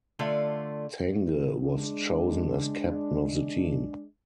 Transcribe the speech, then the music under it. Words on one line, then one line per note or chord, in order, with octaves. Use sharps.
Tange was chosen as captain of the team.
D3 A3 F4 D5
G#3 D4